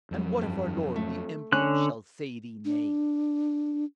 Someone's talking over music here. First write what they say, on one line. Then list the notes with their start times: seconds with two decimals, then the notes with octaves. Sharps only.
"And what if our lord the emperor shall say thee nay?"
0.11 F2 F#3
0.41 G2
0.96 A3
1.52 D3 C#4 F#6
2.65 D4